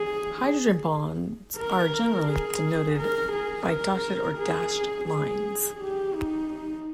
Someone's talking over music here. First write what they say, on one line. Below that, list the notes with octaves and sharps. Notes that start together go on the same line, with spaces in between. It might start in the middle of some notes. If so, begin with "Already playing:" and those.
Hydrogen bonds are generally denoted by dotted or dashed lines.
Already playing: G#4
A#4
G#4
A#4
G#4
A#4
G#4
G#4
G4
D#4